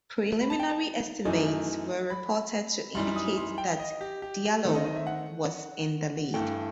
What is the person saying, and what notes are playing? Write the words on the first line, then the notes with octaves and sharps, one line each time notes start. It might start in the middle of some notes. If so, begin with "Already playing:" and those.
Preliminary estimates were reported to indicate that Diallo was in the lead.
B5
A5
G5
A5
F#2 E3 A3 D#4
B5
F#2 E3 G3 D#4 C6
D#6
C6
G5
D#5
G4
G4
D#3 A3 C4 D#4 A4
D#5
D#5
E5
F#5
G2 E3 A3 G5